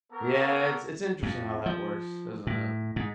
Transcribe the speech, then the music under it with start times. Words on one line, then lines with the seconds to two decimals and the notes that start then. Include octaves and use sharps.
Yeah, it's it's interesting how that works, isn't it?
0.13 A#3 B3 A4 A#4 A#5 C#6
1.23 F2
1.66 F3
2.47 A2
2.96 G#2